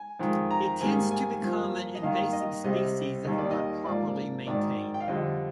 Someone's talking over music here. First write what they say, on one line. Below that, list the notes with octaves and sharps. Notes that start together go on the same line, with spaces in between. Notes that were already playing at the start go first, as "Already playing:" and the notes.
It tends to become an invasive species if not properly maintained.
Already playing: G#5
F2 D#3 G#3
A#5
G#2 D#3 G3 A#3 G#5
G#5
G2 F3 A#3
D#5
G2 D#3 A#3 F5
D#5
C2 C3 G3 D#5
D#2 D#3 G3 A#3 D#5
D5
D#5
G#2 F3 A#3 D5
G#1 G#2 D#3 D5
G5
F5
F2 D3 G3 D#5